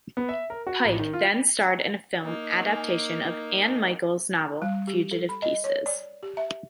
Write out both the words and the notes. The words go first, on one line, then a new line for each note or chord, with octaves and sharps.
Pike then starred in the film adaptation of Anne Michaels's novel "Fugitive Pieces".
B3
E5
A#4
F#4
A1
D#3
F4
A#3 D#4
G3
G4
A4
B5
D#5
C#5
D5
G4
E5